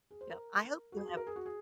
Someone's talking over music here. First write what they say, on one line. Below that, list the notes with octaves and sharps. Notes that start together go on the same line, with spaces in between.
Yep. I hope you have
G#4
C5
A#4
F#4
G#4
F#4
A#4
G#4
F#4
G#4